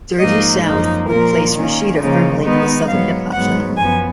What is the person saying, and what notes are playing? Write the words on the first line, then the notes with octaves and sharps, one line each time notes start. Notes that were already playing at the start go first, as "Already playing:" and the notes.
"Dirty South" would place Rasheeda firmly in the southern hip-hop genre.
G#2 F3 A#3 D#4 D#5
F#2 F3 A#3 D#4
A#2 F3 A#3 A#4
D#3 A#3 C#4
C#3 F3 A#3 D#4
D#3 G#3 B3 D#4
G#2 F#3 B3 F5
G#2 F#3 B3 F#5
F#2 F3 B3 G#5